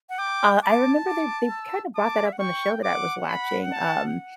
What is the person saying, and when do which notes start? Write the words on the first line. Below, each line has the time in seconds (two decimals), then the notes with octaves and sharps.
uh, I remember they they kinda brought that up on the show that I was watching, um,
0.09 F#5
0.19 G5 D6
0.63 A5 D6
1.07 D6
1.51 E6
1.95 A5 D6
2.25 E5
2.33 F#5
2.40 G5 C#6
2.83 F#5 D6
3.29 B5
3.72 A5